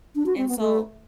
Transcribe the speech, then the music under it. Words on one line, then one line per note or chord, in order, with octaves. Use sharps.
And, so,
D4
F#4
C4
B3
A3